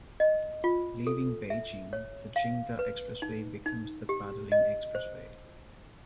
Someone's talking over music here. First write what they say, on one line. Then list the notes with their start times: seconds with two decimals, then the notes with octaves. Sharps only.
Leaving Beijing, the Jingda Expressway becomes the Badaling Expressway.
0.20 D#5
0.64 F4
1.07 A4
1.50 E5
1.93 C#5
2.36 F5
2.79 B4
3.22 D#4
3.66 D#4
4.09 G4
4.52 D#5
4.95 C5